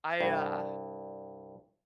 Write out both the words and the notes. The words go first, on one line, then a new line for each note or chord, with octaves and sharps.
I, uh
C2 G2